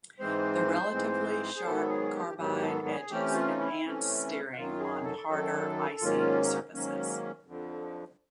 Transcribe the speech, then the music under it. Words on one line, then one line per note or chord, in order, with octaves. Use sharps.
The relatively sharp carbide edges enhance steering on harder icy surfaces.
G#2 E3 G#3 C4 C5
G#2 E3 G#3 C4
G#4
G#2 D#3 F#3 B3 A4
G#4
G4
G#2 D#3 F#3 B3 G4
A4
G#4
C3 E3 A3 C#4 G4
F4
D#4
E4
C3 E3 A3 C#4
F#4
F#2 D#3 F#3 F4
G#4
A4
F#2 D#3 F#3 A4
G#2 D#3 F#3 A#3 C#4 F4
G#2 D#3 F#3 A#3 C#4
F2 D3 F3